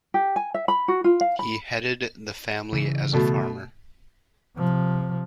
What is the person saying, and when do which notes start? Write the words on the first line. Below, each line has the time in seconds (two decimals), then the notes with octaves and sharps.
He headed the family as a farmer.
0.14 G4
0.36 G#5
0.54 E5
0.68 B5
0.88 F#4
1.04 F4
1.21 F5
1.39 B5
2.73 C#3 E3
3.13 B2 A3
4.56 C3 F3